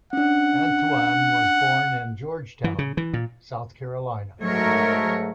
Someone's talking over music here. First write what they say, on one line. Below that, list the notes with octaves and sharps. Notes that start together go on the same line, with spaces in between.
Anthuan was born in Georgetown, South Carolina.
C#4 D4 F#5
E3
C#3
E3
A#2
G#2 F#3 A3 A#4 C#5